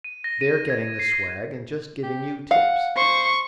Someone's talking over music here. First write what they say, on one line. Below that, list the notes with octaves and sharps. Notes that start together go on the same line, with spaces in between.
They're getting the swag, and just giving you tips.
D#7
A#6
D#7
G#6
C7
A#6
G4
F5 F#5
C5 C#6